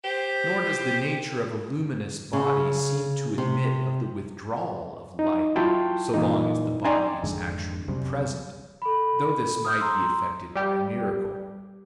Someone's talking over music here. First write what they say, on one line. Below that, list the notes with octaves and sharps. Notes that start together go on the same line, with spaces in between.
Nor does the nature of a luminous body seem to admit of the withdrawal of light, so long as the body is actually present; though this might be effected by a miracle.
G4 C5
C#3
C3
D#4
F#3 E4 F4 G5 A5
A#2 E3 D#4
D#4 D5 G5 G#5 A#5 C6
G#1 F2 D3 G#3
C2 F#2 C3
A4 B5
D#6 F6 G6
A#5 C6 E6
G3 G4